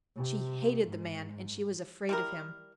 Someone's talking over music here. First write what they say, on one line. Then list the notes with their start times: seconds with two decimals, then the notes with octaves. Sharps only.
She hated the man, and she was afraid of him.
0.16 C3
0.87 G#2
2.09 G3 E4 A#4